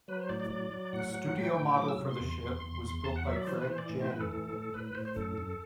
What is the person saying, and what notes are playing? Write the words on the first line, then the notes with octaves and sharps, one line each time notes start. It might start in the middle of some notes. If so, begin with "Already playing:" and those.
The studio model for the ship was built by Greg Jein.
F#3 B4
C5
A2 D5
D5
F#3 D5
F#3
A2 F#5
F#3
A2 G5
A2
F#3 D6
E6
C3
C6
E2
E2
E2
E2
E2 A5
F#5
F#3 E5
D5
E3 C5
B4
E3 C5
D5
A2
C5
E3 B4
A4
A2
A2
A2 B4
B4
A2 C5
C5
F#2 A4
F#2